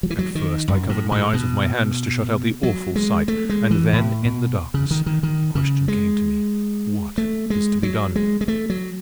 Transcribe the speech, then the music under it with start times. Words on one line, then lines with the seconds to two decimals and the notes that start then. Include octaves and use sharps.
At first I covered my eyes with my hands to shut out the awful sight, and then, in the darkness, the question came to me: What is to be done?
0.03 F#3
0.10 E3
0.18 F#3
0.35 D#3
0.68 F#2
0.89 A2
1.11 A2
1.33 B2
2.63 F#3
2.96 G#3
3.28 A3
3.49 G#3
3.71 E3
3.93 A2
4.25 B2
4.74 C#3
4.91 D#3
5.06 D#3
5.23 D#3
5.55 C#3
5.88 G#3
7.18 A3
7.50 G#3
7.83 F#3
8.16 G#3
8.41 G#3
8.48 A3
8.70 F#3